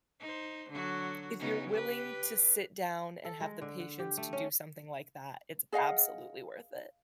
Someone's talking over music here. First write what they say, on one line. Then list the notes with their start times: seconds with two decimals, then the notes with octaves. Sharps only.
if you're willing to sit down and have the patience to do something like that, it's absolutely worth it.
0.20 D#4 C5
0.70 D3 F#3 F#4
1.39 C#3 B3 D#4
1.70 G4 B4
3.25 A4
3.40 G#3
3.61 D3
3.80 F#5
3.99 G4
4.17 A3
4.33 C#4
5.72 G#4 D#5 F5 F#5